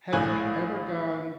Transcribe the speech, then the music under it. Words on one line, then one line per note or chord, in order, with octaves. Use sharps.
Have you ever gone
A#1 A2 G#5 F#6